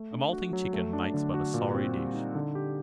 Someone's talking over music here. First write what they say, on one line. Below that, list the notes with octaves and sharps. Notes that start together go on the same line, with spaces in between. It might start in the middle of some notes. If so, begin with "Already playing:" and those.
A moulting chicken makes but a sorry dish.
Already playing: A3
D4
F#4
F#3
A3
D4
D3
F#4
A#2
C4
G3
D#4
D3
G4